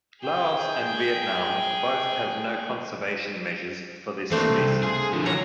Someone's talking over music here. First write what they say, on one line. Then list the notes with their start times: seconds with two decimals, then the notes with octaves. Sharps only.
Laos and Vietnam both have no conservation measures for this species.
0.24 G#4 G5
4.32 E3 A3 A#3 C4 D4
4.49 C2
4.83 F4 G#4
5.13 D3 F3
5.26 F#3 C#5 A#5